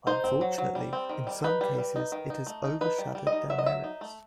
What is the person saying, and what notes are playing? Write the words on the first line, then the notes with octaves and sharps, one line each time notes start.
Unfortunately, in some cases it has overshadowed their merits.
D#4 C5
C4
F#3
F#3
G3
C4
D#3
G3
D#4 B4
G3
G3
D#4
D#3
D#4
A3
D#4
D#4 B4
G3
G3
D#5
D#4
F#3 E5
D#5
F#3 E5
D#4
A3